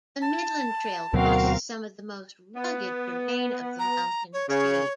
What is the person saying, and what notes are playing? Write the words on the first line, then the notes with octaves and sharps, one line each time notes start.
The Midland Trail crosses some of the most rugged terrain of the Mountain State.
A5
D2 B2 F#3 C4 F#4 A#4 F5
B3
A#5
C#5
C#3 C#5